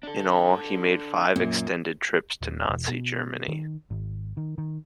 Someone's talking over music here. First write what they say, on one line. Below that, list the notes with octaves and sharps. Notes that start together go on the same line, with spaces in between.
In all he made five extended trips to Nazi Germany.
D4 A4
F#2 A#2
D#1
E1
B2
D#3
G#1
D#3
D#3